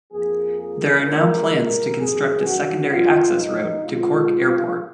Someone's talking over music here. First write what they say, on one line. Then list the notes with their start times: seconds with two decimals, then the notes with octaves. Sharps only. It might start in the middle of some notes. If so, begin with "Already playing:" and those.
There are now plans to construct a secondary access route to Cork Airport.
0.12 F2 F3 A#3 G#4
0.59 G#4
1.05 A#2 G#3 B3 A#4
1.52 A#4
1.98 F#2 D#3 F#3 G#4
2.45 F#4
2.91 F2 F3 B3 F4
3.38 D#4
3.84 B2 G#3 B3 F4